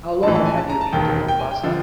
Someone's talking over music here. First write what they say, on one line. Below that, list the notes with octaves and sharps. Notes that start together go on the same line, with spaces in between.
How long have you been to Mombasa?
A#1 A2 E3 A5
A5
G#5
A5
A#5
A5
E1 D#2 D#3 G5
G5
G#5
G5
D3 F3